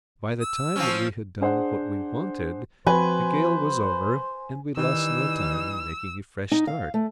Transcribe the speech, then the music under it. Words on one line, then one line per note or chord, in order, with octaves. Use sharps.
By the time that we had done what we wanted, the gale was over, and we lost no time in making a fresh start.
E6
F3 C4 C#4
D4 G#4 C5 F#5
F3 C4 F#4 B4 C5 G#5
D#3 E3 G3 D#4 E6
D#4
F5
A3